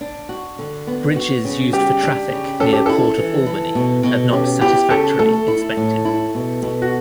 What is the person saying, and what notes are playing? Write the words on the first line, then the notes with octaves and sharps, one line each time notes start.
Bridges used for traffic near Port of Albany have not satisfactorily inspected.
D4
F#4
D3
B3
F#4
C#3
G3 G4
D4
C#3
C#4 A4
G4
E4 A4
E3
E4
B2
B2
C#4 G4
E4 G4
C#3 A4
A3 A4
E4
A2
E4
B2
B2
F#4